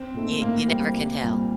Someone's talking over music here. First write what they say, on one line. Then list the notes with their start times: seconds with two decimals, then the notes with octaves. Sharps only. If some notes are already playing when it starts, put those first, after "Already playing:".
you you never can tell.
Already playing: C4
0.14 A#2 A3 D#4
0.41 A2 A#3
0.68 G3 C4 G4
0.94 C2
1.19 A#2 G3 C4